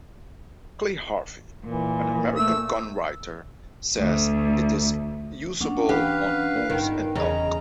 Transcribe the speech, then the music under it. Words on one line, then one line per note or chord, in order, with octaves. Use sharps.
Clay Harvey, an American gun writer, says it is usable on moose and elk.
A#2 E3
A3 E6
D2
A#3 C#4 D4 F#5
E3 G4 B4 F5
G1 D#3
E2 C#3 G#4 D#5 A#5